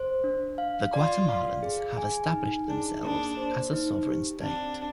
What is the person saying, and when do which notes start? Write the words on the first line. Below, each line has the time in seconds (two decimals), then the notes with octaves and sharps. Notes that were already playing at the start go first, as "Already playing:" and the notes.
The Guatemalans have established themselves as a sovereign state.
Already playing: C5
0.24 D4
0.58 F5
0.93 F4 D5
1.28 F5
1.63 G#4
1.97 G#5
2.33 D#4
2.68 D4 G#4
3.03 A#3 D4
3.37 C5
3.73 D#4
4.07 G4
4.42 C4 D4